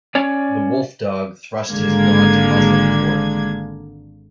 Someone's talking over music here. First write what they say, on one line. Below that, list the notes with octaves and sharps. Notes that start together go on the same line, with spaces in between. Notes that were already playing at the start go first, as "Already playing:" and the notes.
The wolf-dog thrust his gaunt muzzle toward him.
C#4 C#5 D5
G#1 D3 G#3 A#3 G#6